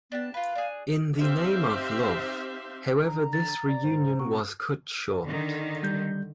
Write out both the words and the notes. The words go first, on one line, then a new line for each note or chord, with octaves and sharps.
In the Name of Love, however this reunion was cut short.
B3 D4 G4 A5
F4 B4 F5
D4 G#4
C4 D#4 G4 C5 E5 F5
D3 A#5
A6
D5
G#2 D3 C5
B2 A#3 C4 F#4 C#6
D3 D#3
G3 G6